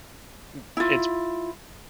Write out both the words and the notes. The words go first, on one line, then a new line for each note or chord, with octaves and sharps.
m it's
E4 F4